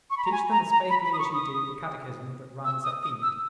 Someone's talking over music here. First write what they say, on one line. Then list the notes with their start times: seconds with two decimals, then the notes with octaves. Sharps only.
Teach them as faithfully as you do the catechism, that rum is a fiend.
0.10 C#6
0.17 B5
0.25 A#5
0.32 G#5
0.51 A#5
0.70 A#5
0.90 B5
1.04 B5
1.13 D#6
1.19 C#6
1.33 D#6
2.65 E6
2.84 D#6
3.03 D#6
3.22 E6